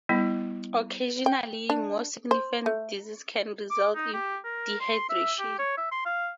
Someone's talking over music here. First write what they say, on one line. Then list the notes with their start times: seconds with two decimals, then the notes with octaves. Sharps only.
Occasionally more significant disease can result in dehydration.
0.09 G3 B3 E4
1.26 G5
1.70 D4
2.31 C5
2.66 A3
3.70 D6
3.95 D#4
4.13 G4
4.44 A#4
4.80 C6
5.09 E5
5.39 G4
5.58 C#5
5.77 E5
5.91 C6
6.05 F5